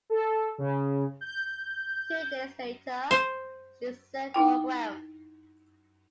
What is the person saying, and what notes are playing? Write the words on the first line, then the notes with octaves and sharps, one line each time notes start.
Two days later, she sailed for Guam.
A4
C#3
G6
C5
D#4 E4 G5